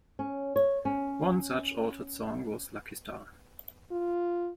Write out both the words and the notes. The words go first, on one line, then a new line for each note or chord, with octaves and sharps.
One such altered song was "Lucky Star".
C#4
C#5
C#4
F4